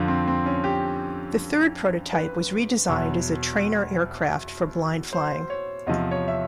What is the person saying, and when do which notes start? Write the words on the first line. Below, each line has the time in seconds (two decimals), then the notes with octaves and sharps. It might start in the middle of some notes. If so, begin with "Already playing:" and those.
The third prototype was re-designed as a trainer aircraft for blind flying.
Already playing: F2 D3 F3
0.08 C4
0.27 C4
0.46 C#4
0.64 G4
2.13 B4
2.88 E2 B2 F#3
5.13 C5
5.50 C#5
5.86 E2 C3 F3 D#5
6.11 C#5
6.28 E5